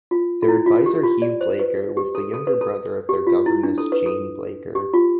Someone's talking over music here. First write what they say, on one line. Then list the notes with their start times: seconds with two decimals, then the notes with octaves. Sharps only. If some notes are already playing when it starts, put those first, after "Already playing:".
Their advisor Hugh Blaker was the younger brother of their governess Jane Blaker.
0.11 F4
0.42 F4
0.48 E4
0.66 F4
0.86 G4
1.04 F4
1.22 D5
1.41 C5
1.60 B4
1.97 G4
2.15 A4
2.34 A4
2.47 B4
2.61 A4
3.09 G4
3.27 F4
3.46 E4
3.63 D4
3.78 A4
3.92 B4
4.06 A4
4.75 G4
4.94 F4